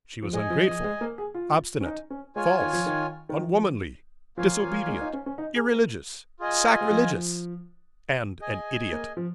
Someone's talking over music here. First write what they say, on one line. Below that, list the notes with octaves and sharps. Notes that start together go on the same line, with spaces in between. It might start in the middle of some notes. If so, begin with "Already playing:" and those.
She was ungrateful, obstinate, false, unwomanly, disobedient, irreligious, sacrilegious, and an idiot.
F3
G#3 G#4 D#5 G#5
F3
F3
G#3
A#3
G#4
F4
C#4
D#4
C#4
G#3 F4 C#5 G#5
D#3
F3
D#3
D#3
F3
F3 A#3 F4 C#5 F5 G#5
F3
G#3
D#4
C#4
C#4
D#4
G#4
A#4
F4 G#4 D#5 G#5
G#3
F3
G#4 D#5 G#5
A#3
F3